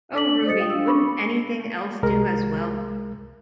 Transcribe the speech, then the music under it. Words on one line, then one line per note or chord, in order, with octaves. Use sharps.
O Ruby, wouldn't any thing else do as well?
D4 A4 B6 F#7
C5 D#5 D#6 A6 C#7
F4 F5 G5 D#6
D4 E6
D4 B5 C#6 D6
C2 G#3 A#4